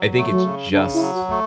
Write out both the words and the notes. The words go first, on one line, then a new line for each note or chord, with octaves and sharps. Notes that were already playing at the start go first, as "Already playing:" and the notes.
I think it's just
Already playing: F#3
A3
F#3
C#3
C#3 D4
E4
F#3
F#4
A3